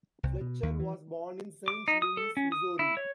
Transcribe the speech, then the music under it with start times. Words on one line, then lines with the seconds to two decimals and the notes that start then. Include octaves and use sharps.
Fletcher was born in Saint Louis, Missouri.
0.23 C2
0.41 B2
0.63 D#2
0.80 E3
1.68 D6
1.88 D#4
2.02 D#6
2.17 A4
2.37 C#4
2.52 D#6
2.79 E4
2.97 C#5